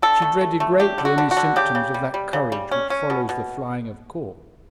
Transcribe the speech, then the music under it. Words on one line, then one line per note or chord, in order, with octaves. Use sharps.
She dreaded greatly any symptoms of that courage which follows the flying of corks.
D3 A4
A3
A3
A3
D4 G4
D3
F#4
D3
F#4
D3
C#3 G4
C#3
G3
G3
C#3
G3
C#4
C#4
B2
B2